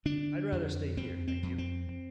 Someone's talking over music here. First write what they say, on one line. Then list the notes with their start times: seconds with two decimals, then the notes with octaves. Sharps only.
I'd rather stay here, thank you.
0.05 D3 D4
0.52 F2
0.97 F2 C4
1.28 C4
1.43 F2
1.58 C4